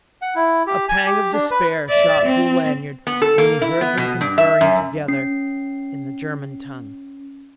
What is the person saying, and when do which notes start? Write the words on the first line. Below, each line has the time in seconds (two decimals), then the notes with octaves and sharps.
A pang of despair shot through Lanyard when he heard them conferring together in the German tongue.
0.22 F#5
0.35 E4
0.67 G4
0.89 G#5
1.06 G4
1.33 D4
1.51 B4
1.89 D5 E5
2.25 C4
3.07 B3
3.22 A4
3.38 A#3
3.62 E4
3.81 B3
3.97 B2
4.21 G2
4.38 E5
4.61 F#2
5.08 C#4 C7